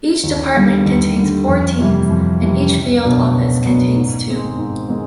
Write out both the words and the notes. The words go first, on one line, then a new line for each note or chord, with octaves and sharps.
Each department contains four teams and each field office contains two.
D#2
D3 G3
D#2
D3 G3
F2
C3 E3 G3
F2
C3 E3 G3
C#2
B2 F#3 B3 D4
C#2
B2 F#3 B3 D4
G#2
D#3 G#3 C4
G#2
D#3 G#3 C4